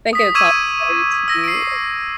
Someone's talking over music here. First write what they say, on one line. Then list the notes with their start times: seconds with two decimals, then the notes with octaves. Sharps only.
I think it's all better to
0.13 D#6 B6
0.35 C#6 D6 E6 G#6 D#7 E7
1.28 E6 A#6
1.44 C7 D7